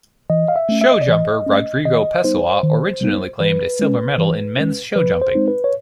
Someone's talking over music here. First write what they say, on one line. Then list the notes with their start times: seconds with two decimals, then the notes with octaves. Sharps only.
Show jumper Rodrigo Pessoa originally claimed a silver medal in men's show jumping.
0.30 E3 D#5
0.48 F5
0.56 E5
0.69 A3 C#4
0.81 E5
0.91 D#5
1.01 D5
1.08 E3 D#5
1.46 A3 C#4
1.85 D#3 D#5
2.24 G3 B3 D#4 C5
2.63 D#3
3.01 G3 B3 D#4
3.40 E3 B4
3.80 G#3 C#4
4.18 E3
4.57 G#3 C#4
4.96 F3 B4
5.22 C5
5.35 G#3 C4 D#4
5.48 B4
5.64 C#5